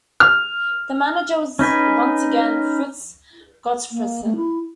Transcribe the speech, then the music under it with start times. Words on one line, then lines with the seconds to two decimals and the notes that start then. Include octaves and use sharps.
The manager was once again Frits Gotfredsen.
0.20 F6
1.59 C#4 D#4 B4 G#5
3.92 A#3
4.25 A3
4.36 E4